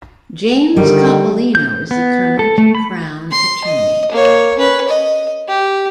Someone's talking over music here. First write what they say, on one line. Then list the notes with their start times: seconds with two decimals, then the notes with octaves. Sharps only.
James Coppolino is the current Crown Attorney.
0.77 D3 D#3 G3
1.55 G6
1.91 B3
2.39 A4
2.58 A3
2.75 B5
3.31 C6
3.65 D#5
4.12 A#3 C#5
4.58 C#4 B4
4.89 D#5
5.48 G4